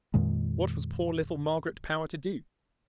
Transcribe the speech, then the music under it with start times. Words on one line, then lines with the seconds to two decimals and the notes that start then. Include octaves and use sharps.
What was poor little Margaret Power to do?
0.14 F2 A#2 D#3 G#3